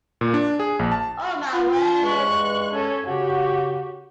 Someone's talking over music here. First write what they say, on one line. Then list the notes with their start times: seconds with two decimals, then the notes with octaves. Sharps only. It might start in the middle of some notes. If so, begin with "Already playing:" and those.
Oh my word.
0.21 A#2
0.34 D4
0.60 G#4
0.79 A#1
0.92 A5
1.53 F4
2.03 E2 G2 G#3 C#6 F#6
2.73 C#4 A4
3.07 C#3 F#4 G4